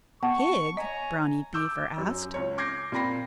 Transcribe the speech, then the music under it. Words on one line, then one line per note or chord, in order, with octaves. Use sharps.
"Pig?" Brownie Beaver asked.
B3 F#5 A5 C#6
C#5 D#5 G#5 A#5
D6 E6 G6
F#2 F#3
C#2 C#5
D6 G6 G#6 A#6 C7
A#2 C4 G5 B5 A#6 C7